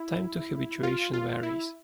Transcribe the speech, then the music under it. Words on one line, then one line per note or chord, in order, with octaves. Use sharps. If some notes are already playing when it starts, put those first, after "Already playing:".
Time to habituation varies.
Already playing: E4
F4
F4
E4